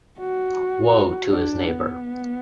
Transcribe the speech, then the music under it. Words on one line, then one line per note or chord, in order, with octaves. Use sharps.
Woe to his neighbor!
F#4
D4
B3